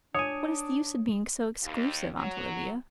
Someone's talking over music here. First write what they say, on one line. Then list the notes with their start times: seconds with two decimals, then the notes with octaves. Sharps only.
What is the use of being so exclusive, Aunt Olivia?
0.15 D4 C#5 G#5 D#6
1.63 D#2
2.17 F#3